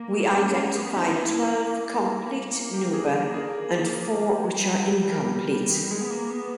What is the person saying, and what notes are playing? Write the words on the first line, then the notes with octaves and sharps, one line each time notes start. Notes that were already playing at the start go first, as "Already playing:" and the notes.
We identify twelve complete nuba and four which are incomplete.
Already playing: A#3
A#3 C#4
C#4
A#3
B3 C#4
D#4
B3
A#3 E4
G4
G#4
A#4
G#4
G3
G#3
G3
A#4
D#3
E3
G3
G#3 G#4
B3
A#3
B3